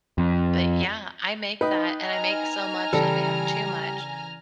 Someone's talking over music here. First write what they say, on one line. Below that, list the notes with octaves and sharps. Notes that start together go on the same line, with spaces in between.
But, yeah, I make that, and I make so much that we have too much.
F2
D#4 B4 D#5 G5
G#5 A#5 F6
C#3 E3 G3 A4